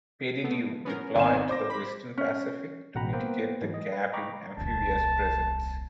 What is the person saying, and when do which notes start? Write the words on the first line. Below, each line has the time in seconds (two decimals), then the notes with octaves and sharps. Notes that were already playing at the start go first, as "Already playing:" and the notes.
"Peleliu" deployed to the Western Pacific to mitigate the gap in amphibious presence.
0.44 A3 B3
0.85 B3 C#4 A#4
1.16 G#1 G#5 E7
1.49 C5 D6 A#6
1.70 B5 B6
2.18 C#4
2.95 A1 B2 F#5 G5 A#5 B5
3.13 A#3 B3 B4 C5 G5
3.61 G#2 E3 F#3
3.74 D#5
3.92 B4
4.13 D#5 G5 A#5 B5 C#6 D6
4.57 D#1 C2 A5